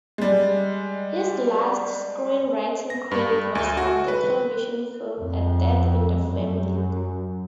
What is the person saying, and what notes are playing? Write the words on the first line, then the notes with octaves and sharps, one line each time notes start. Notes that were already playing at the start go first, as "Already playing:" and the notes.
His last screenwriting credit was from the television film "A Death in the Family".
G3 G#3
A#6
G2
D2
F#4
B4
F2
F#2